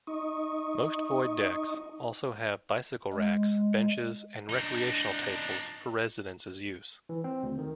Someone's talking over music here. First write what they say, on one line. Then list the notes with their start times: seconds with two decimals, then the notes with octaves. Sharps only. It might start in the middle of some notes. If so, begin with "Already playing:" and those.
Most void decks also have bicycle racks, benches, and recreational tables for residents' use.
0.07 D#4 D#5 C#6
3.13 G#3
4.49 D4 D#4
7.09 E3
7.24 C4
7.43 D2
7.58 D#3